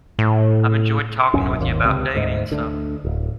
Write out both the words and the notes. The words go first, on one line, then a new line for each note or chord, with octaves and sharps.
I've enjoyed talking with you about dating, so
A2
D1 B1 F#2 C#4
G#1 D#2
C#2 C3
D2 G#2
D2 D3
D1